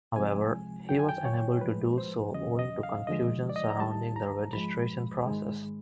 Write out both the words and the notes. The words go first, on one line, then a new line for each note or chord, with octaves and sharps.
However, he was unable to do so owing to confusion surrounding the registration process.
C2 C3 F3 G#3 G#5
F#2 D#3 F#3 G5
G#5
G5
C#5
A2 F3 G#3 B4
C5
E2 C#3 F#3 D#5
D#5
F5
D#2 D3 F3 G#3 D#5
D5
D#5
A#5
D#2 D#3 G3 A5
A#5
G#2 F3 G#3 B5
G#2 D#3 G#3